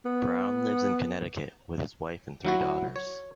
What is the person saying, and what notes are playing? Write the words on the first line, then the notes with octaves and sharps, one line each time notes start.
Browne lives in Connecticut with his wife and three daughters.
B3
F#3 E4 F#4
C#5